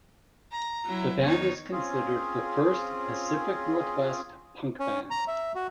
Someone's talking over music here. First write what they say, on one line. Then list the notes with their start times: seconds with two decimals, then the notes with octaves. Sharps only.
The band is considered the first Pacific Northwest punk band.
0.52 A#5
0.85 F#3 E4
1.23 E2 D#3 D#4 C#5
1.72 C4 C#4 F4 G#4
4.80 C#4
5.11 A#5
5.28 E5
5.55 F#4